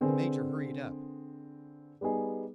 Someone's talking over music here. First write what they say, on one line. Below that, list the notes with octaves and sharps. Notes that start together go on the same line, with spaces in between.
The major hurried up.
D3 C4 G#4 A#4 B4
G3 B3 D#4 G#4